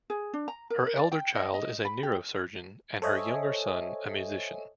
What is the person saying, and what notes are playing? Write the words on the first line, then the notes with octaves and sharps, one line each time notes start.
Her elder child is a neurosurgeon and her younger son a musician.
G#4
D4
A#5
A#4
A#4
D5
G5
D#5
D#5
B5
G4
A4 C5 C#5 D#5 E5 G#5